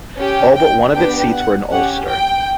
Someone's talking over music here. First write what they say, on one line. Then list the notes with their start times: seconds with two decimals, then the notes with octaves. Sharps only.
All but one of its seats were in Ulster.
0.18 C#4 G4
0.57 G5
0.95 B3 D4 G4 G5
1.33 F#5
1.72 C#4 G4 F#5
2.10 G5